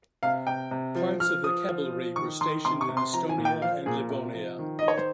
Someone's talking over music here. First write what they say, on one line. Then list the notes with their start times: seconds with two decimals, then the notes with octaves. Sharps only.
Parts of the cavalry were stationed in Estonia and Livonia.
0.23 C3 F5
0.47 C3 G5
0.71 C3
0.95 F3
1.19 F3 F6
1.43 F3 D#6
1.69 F3
1.92 F3
2.16 D#3 C#6
2.41 D#3 C6
2.65 C3 C6
2.81 C#6
2.89 C3
2.97 C6
3.13 F3 A#5
3.29 G#5
3.38 A#2
3.45 G5
3.62 F3 F5
3.86 A#2 G#4
4.10 C3
4.34 F3
4.59 D#3
4.79 D#3 D#5
4.88 C#5
4.98 C5